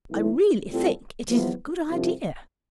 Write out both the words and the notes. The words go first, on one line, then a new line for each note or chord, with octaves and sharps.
'I really think it is a good idea.
B1 A2 E3 A3 E4
A2 G3 C4 F4 A4
E2 C3 F3 B3
C2 C3 F3